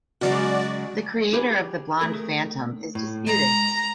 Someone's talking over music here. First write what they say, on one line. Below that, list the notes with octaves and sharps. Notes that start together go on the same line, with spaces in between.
The creator of the Blonde Phantom is disputed.
C#3 F#3 G#3 F#4 D5
G4 G#4 B4
A3 G#4 A#4
A2
G#3 A#5